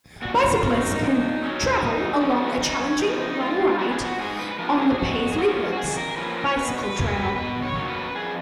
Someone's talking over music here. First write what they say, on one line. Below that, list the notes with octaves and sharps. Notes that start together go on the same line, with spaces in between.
Bicyclists can travel along a challenging long ride on the Paisley Woods Bicycle Trail.
A#2 F#4
F4
F#3 C#4
D#4
A#2
F#3 C#4
C#4
F#2 D#4
C#3 F3 B3 C#4
F#2 D#4
C#4
C#3 F3 B3 D#4
D#4
G#2 F4
F3 B3 F#4
G#4
F#4
G#2 G#4
B4
F3 B3 A#4
G#4
G#4
F2 F#4
G#4
F3 A#3 C#4 F#4
F#4
F2 G#4
A#4
F3 A#3 C#4 B4
A#4
C#5
B2 B4
C#5
B4
F#3 A#3 C#4
B4
B2 B4
C#5
F#3 A#3 C#4
B4
F2 G#4